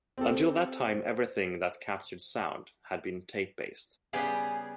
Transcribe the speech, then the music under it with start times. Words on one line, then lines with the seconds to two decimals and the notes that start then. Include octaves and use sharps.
Until that time everything that captured sound had been tape-based.
0.18 C4 G4 A4
0.86 C5
4.13 C#3 G3 B3 G4 G#4